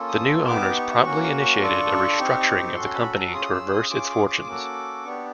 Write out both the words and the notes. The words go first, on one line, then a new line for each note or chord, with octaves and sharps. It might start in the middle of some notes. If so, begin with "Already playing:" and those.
The new owners promptly initiated a restructuring of the company to reverse its fortunes.
Already playing: A#3 C#4 F4 A4
D#6
B3 D#4 G4 D6
C#6
A#3 C#4 F#4 C#6
C#6
C#6
D4 F4 A4 C#6
C4 D#4 G4
C#4 F#4 A4 C6
B5
A#5
C#4 F4 G#4 D#6
E6
D#6
C#4 F4 G#4 D6
D6
D6
A#3 C#4 F#4 A4
B3 D4 G4 C#6